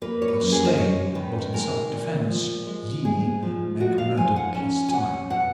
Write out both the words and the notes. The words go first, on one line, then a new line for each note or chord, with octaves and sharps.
I slay but in self-defence--ye make murder pastime.'
A#3 B4
C#5
B4
F#2
G#4
D#5
F#2 C#5
D#3 B4
G#3 A#4
A#2
F3
G#3
G#2 G#4
F3
D#4 F#4
F5
F3 G#5
F#5
C#4
G#5
C#4 F#5
B2 F#5